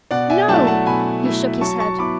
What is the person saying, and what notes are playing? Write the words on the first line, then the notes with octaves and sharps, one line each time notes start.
"No," he shook his head.
B2 D5 F#5
E5 G#5
F#3 A3 E4 F#5 A5
F#5 A5
B2 G#5 B5
F#3 A3 E4
F#3 A5 C#6
A5 C#6
B3 E4 B5 D6